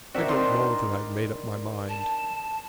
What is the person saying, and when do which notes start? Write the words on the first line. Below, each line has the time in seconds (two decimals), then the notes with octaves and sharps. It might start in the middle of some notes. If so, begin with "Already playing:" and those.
I don't know that I've made up my mind.
0.15 C4 E4 F#4 A#4 D5 E5
0.29 D#3 D4 D#4 C6
1.89 A5